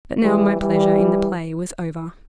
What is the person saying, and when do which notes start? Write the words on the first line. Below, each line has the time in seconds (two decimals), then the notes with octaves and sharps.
But now, my pleasure in the play was over.
0.22 E3 G3
0.60 E3 G3